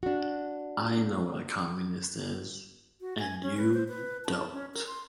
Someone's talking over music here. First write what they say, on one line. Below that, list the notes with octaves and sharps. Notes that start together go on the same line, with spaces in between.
I know what a Communist is and you don't.
D4 F#4
F#4
G#5
C#4
B4
C5
B4
A5
C#4
A#4
C6